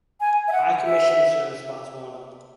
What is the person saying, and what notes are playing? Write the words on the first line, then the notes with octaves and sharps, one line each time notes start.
High Commission serves Botswana.
G#5
E5
F#5
E5